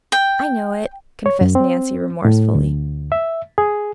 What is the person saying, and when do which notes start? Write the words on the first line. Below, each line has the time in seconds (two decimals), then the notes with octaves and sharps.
"I know it," confessed Nancy remorsefully.
0.12 G5
1.26 C#5
1.41 F#2
1.55 C4
2.25 A2
2.55 D2
3.12 E5
3.58 G#4